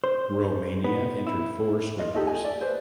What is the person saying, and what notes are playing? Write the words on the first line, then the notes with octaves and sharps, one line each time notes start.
Romania entered four swimmers.
C5
B3
E4
F4 D#5
D#4 G4 A4 D#5
G#5
D5
B4 C5